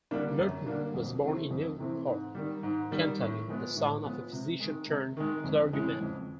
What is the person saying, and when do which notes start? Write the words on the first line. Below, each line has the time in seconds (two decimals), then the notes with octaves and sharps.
Lurton was born in Newport, Kentucky, the son of a physician turned clergyman.
0.11 D3 G3 A#3 D4
0.38 F#2
0.66 D3 G3 A#3 D4
0.94 F2
1.24 C3 E3 A3 C4
1.51 F2
1.79 C3 E3 A3 C4
2.07 G#2
2.35 D#3 G3
2.63 G#2
2.91 D#3 G3
3.20 A2
3.48 F3 G#3 B3
3.76 A2
4.03 F3 G#3 B3
4.32 C3
4.60 D#3 G#3
4.88 C3
5.17 D#3 G#3
5.44 F2
5.73 C#3 E3 G#3
6.01 F2